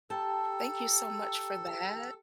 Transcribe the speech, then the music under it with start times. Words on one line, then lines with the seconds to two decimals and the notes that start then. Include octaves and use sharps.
thank you so much for that.
0.10 G4 A4 G5 A5 A#5